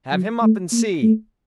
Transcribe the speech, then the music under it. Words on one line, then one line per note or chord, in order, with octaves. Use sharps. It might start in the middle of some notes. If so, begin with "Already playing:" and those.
"Have him up and see...."
F#3
A3
A#3
A3